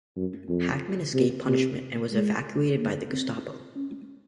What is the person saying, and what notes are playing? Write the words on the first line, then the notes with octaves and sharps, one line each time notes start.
Hackmann escaped punishment and was evacuated by the Gestapo.
F#2
F2
C3
C3
G#3
A#3
C4
C#4